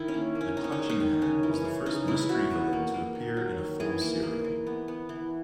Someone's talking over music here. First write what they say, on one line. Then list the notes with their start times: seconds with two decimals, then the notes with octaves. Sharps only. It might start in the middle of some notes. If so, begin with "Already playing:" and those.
The Clutching Hand was the first mystery villain to appear in a film serial.
Already playing: D#3 E4
0.08 C#4
0.14 A#3
0.35 A#3
0.41 C#4
0.57 D#3 D#4
0.64 C#4
0.72 D#4
0.79 G#3
0.89 D#4
1.00 D#3
1.22 C#3 C#4
1.43 E3
1.54 C#4
1.65 C#3
1.86 C#3 D#4
2.07 E3 E4
2.29 C#3 F#4
2.51 B2
2.73 A#3
2.94 A#3
3.15 D#3
3.37 F#3
3.58 D#3
3.80 E3 G#4
4.01 A#3
4.22 A#3
4.44 E3
4.67 B3
4.88 B3
5.09 E3